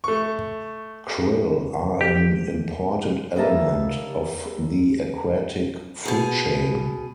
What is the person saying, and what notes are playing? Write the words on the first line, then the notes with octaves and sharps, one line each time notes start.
Krill are an important element of the aquatic food chain.
A3 C#6
G4
D#2 G3 A#3 E5 A5 A#5
B2 G#4